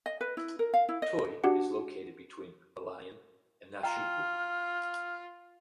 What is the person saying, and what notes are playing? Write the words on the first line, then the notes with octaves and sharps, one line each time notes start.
Tuy is located between Balayan and Nasugbu.
D#5
B4
E4
A#4
F5
E4
D#5
D4 F#4 G4 F#5
F4 G5 A#5 F6